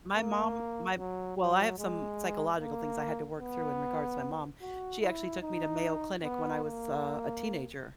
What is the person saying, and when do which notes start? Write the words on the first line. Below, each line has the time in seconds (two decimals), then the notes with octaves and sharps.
My mom my well, I have some psychological things I had to work through in regards to my mom. She actually took me to Mayo Clinic when I was, uh, a teenager,
0.16 A#3
0.97 F#3
1.37 F#3
1.78 G#3
2.58 A#3
3.39 B3
4.61 F#4
5.01 E4
5.41 D#4
6.23 B3
6.64 A#3